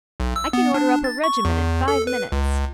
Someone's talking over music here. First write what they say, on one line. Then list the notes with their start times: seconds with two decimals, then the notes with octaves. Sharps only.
'I can order up a regiment in five minutes.'
0.20 B1
0.36 E6
0.53 B3
0.74 D4
1.04 A6
1.24 C#6
1.45 E2
1.88 A4
2.07 B4
2.32 C#2